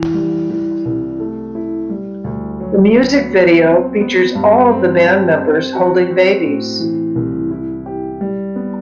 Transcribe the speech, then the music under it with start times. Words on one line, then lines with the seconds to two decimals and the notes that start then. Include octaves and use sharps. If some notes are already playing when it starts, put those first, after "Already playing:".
The music video features all of the band members holding babies.
Already playing: E3
0.14 G3
0.50 E3
0.85 C2
1.20 A3
1.55 E4
1.90 G3
2.24 D2
2.60 F#3
2.95 B3
3.30 F#3
3.65 C4
4.00 B3
4.35 G2
4.70 C4
5.06 G4
5.41 C4
5.75 F#4
6.11 C4
6.45 A2
6.80 E3
7.16 C2
7.51 E4
7.86 G4
8.21 G3
8.56 B3